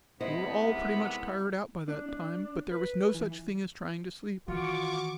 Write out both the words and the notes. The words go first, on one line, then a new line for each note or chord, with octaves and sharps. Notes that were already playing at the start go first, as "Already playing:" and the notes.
We were all pretty much tired out by that time, but there was no such thing as trying to sleep.
C2 G#2 C3 B3 E4 C5 D#5
D4
D4
B4
E3
D#3 E3 F4 F#4 C#6 D6